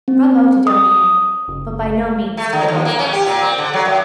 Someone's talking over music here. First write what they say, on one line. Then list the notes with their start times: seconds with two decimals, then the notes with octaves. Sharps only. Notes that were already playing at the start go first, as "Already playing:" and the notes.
Bravo to Daumier, but by no means to the Beaux-Arts!
0.08 C4
0.67 D#6
1.48 F#1
2.37 A3
2.53 D3
2.68 D#2
2.85 A#3
2.99 C#4
3.13 G4
3.26 A#2
3.42 C4
3.58 D3
3.74 F#3
3.85 F#2